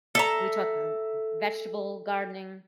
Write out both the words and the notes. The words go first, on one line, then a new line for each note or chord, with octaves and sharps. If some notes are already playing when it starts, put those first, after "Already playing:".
are we talking vegetable gardening?
A4 E5 A#5